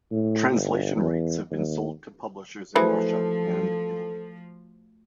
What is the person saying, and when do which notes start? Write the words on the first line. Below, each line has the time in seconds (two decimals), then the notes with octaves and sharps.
Translation rights have been sold to publishers in Russia and Italy.
0.11 A2
0.51 G1
0.96 E2
1.51 D#2
2.76 E3 F3 G#3 A3 F#4 A4 C5 B5